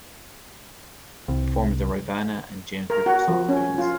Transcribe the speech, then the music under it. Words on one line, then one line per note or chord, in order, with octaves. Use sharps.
It forms the Rivanna and James River subdivisions.
C2
A#4
F#4
F3
C#4
F4